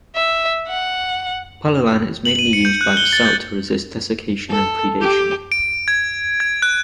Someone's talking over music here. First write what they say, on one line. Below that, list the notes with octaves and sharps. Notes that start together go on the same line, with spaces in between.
Pullulan is mainly used by the cell to resist desiccation and predation.
E5
F#5
F#7
D#7
C#7
G6
F#6
G7
A6
G6
A4
G4
D7
G#6
G#6
F#6